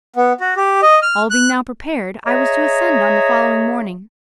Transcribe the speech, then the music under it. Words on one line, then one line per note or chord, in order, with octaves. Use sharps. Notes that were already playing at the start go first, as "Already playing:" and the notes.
All being now prepared I was to ascend on the following morning.
B3
F#4
G4
D#5
F6
F#6
G#4 C#5 D#5 E5 A#5